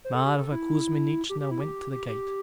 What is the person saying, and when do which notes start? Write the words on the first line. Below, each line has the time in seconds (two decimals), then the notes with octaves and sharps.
Mavra Kuzminichna went to the gate.
0.05 C5
0.14 A4
0.25 G4
0.36 A4
0.52 E4
1.29 G4
1.40 G4
1.51 E4
1.61 G4
1.92 G4
2.08 G4